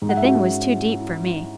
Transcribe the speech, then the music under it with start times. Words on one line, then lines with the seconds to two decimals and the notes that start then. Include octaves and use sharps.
The thing was too deep for me.
0.02 G#2
0.09 F#5
0.17 E5
0.24 F#4 F#5
0.35 C#4
0.68 E4
1.00 E4